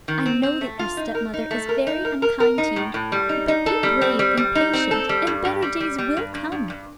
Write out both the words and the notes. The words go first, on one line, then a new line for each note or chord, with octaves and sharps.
I know that your stepmother is very unkind to you, but be brave and patient, and better days will come.
D#3
C4
C4
A3
F4
D#4
A#4
D#4
A3
A#4
D#4
A#4
A#4
A#4
D#4
A2
A2
G3
D#4
D#4
A4
G3
C4
G3
G3
D#4
C4
A4
G3
G2
G2
G3
G3
G3
G2
G2
G2
G2